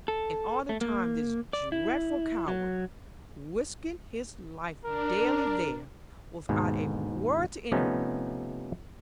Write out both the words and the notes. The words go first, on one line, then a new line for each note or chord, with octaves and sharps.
And all the time this dreadful "coward" risking his life daily there, without a word to any one!
A4
A3
A#3
D5
E4
F#3
D4 A#4
D#2 G#2 B2
C3 F3 A3 B3 C#4 D#4